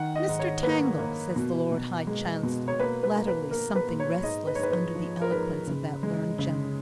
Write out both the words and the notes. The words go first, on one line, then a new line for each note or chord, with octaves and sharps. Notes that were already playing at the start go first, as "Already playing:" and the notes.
"Mr. Tangle," says the Lord High Chancellor, latterly something restless under the eloquence of that learned gentleman.
Already playing: D#3 F#5
D#5
G#2
C#5
A#3 B4
A#3
B2
B2
G#3
B2
C#5
A#3 B4
B4
A#3
B4
A#3 A#4
B4
A#2
C#5
G#2 D#5
B4
C#5
G#2 B4
B4
F3
A#4
G#2 B4
C#3
G#3
C#3